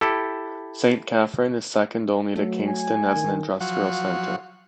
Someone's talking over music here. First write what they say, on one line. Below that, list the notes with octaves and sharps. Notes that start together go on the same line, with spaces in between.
Saint Catherine is second only to Kingston as an industrial center.
E4 G4 A4
F#3 A3
G#5
D#3
F3 F#3 F#4